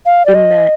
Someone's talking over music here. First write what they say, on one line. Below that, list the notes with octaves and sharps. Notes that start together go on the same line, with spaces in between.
in that,
F5
D5
D#5